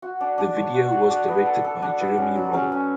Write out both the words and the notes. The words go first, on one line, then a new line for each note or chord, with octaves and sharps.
The video was directed by Jeremy Rall.
F#4
D4
D4
C#5
F#4
F#4
D4
B3
A4
A4
D4
B3
C#4
F#3
C#4
C#4